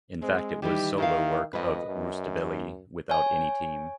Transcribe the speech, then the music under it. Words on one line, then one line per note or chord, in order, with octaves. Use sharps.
In fact it was solo work of Rustaveli without any team.
G#3 C4
D#3 E3 G3 G4
D#3 E4 F5
F2 B4 D#5
F#2
C#5 G#5